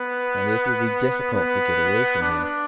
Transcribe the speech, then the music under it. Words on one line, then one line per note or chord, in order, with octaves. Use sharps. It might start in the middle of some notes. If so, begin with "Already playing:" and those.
And it will be difficult to get away from here.
Already playing: B3
B3
D4